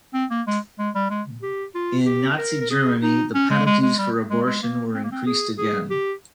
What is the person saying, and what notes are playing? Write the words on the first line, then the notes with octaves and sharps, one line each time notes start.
In Nazi Germany, the penalties for abortion were increased again.
C4
A#3
G#3
G#3
G3
G#3
G4
F4
G4
A#4
A#4
G#4
D#4
C#4
G#3
G#3
G#3
G3
G#3
G#3
A#3
C4
A#3
C4
G#4
G#4
G4